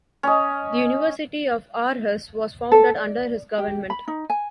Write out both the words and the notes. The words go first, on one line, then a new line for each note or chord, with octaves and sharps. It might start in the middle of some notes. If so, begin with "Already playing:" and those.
The University of Aarhus was founded under his government.
C#4 D#5
A4
D5
G4
B5
D#4
G#5